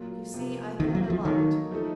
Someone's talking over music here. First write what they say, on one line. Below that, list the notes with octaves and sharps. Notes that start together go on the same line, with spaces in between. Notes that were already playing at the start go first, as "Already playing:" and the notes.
You see, I thought a lot.
Already playing: A#2 F#3 A#3 F4
C3 F3 A#3
A2 D#3 A3 C4 F#4 A4
F#3
F3
D#3 F#3 A#3 D#4 A4 C#5
F3 A3 D#4 A4